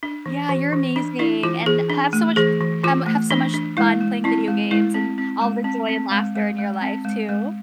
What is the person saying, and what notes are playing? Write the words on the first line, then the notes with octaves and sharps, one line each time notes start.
Yeah, you're amazing, and have so much ham have so much fun playing video games and all the joy and laughter in your life, too.
D4
E3
E3
E3
D4
D4 E4
E3 F4
E3 G#4
D4
A3
E3 G#4
E3
E3 F4
A3
E3 D4
D4
G#3 E4
G#3
C4 E4
G#3
G#3 E4
C4
C4
G#3
C4
C4
G#3
G#3
G#3
C4
G#3
G#3